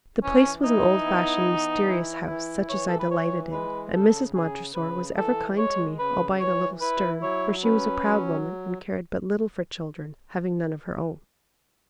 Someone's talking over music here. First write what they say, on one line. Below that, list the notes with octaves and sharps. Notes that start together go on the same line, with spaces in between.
The Place was an old-fashioned, mysterious house, such as I delighted in, and Mrs. Montressor was ever kind to me, albeit a little stern, for she was a proud woman and cared but little for children, having none of her own.
E3 C#4
D#4 E4
B3
E3
E4
E3
E3 C#5
A4
B4
E3 C#5
G#3 B4
C#3 A4
C#3 G#4
C#3 B4
E3 A4
G#3 C#5
C#3 B4
E3 C#5
E4 B4
F#3 C#5
C#4 B4
F#3